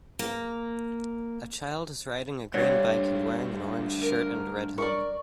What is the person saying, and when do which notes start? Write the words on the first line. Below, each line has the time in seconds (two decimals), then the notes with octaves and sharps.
A child is riding a green bike and wearing an orange shirt and red helmet.
0.19 A#3
2.54 G2 A3 D4 C5 C#5 F#5
4.02 A#4
4.78 A#4 D5 C#6